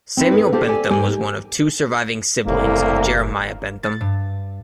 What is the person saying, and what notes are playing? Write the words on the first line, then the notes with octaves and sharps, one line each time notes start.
Samuel Bentham was one of two surviving siblings of Jeremiah Bentham.
C4 D#4 E4 B4
G#4 A4 B4
A#3 D4 F4 G4 A4 C5
G4 A4 D5 G#5
G#2 A#3 G4 A#4 G5 G#5
F#1 C2 A2 A#3
A6
G2